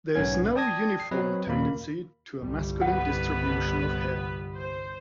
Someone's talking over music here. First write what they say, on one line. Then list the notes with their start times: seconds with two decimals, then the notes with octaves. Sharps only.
There is no uniform tendency to a masculine distribution of hair.
0.15 B1 G#2 B3 C#4 G#6
0.55 D5 G5 A5 D#6 G#6 A#6
1.00 C7
1.11 F#3 C4 B4 D#5
1.47 D#2 A#2 A#3 B5
2.39 G1 C2 G3
2.81 B3 B4 F#5
4.55 C5